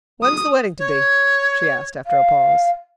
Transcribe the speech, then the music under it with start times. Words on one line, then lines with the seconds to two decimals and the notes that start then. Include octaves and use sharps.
"When's the wedding to be?" she asked after a pause.
0.23 D#6
0.79 C#5
2.06 F5